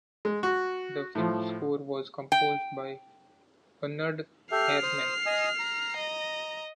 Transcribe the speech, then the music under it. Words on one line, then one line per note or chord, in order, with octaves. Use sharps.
The film score was composed by Bernard Hermann.
G#3
F#4
A2 F3
G5
G4 A4 E5 F6 C7
C5 D#6
D#5 G#5 D#6
A#5
D#5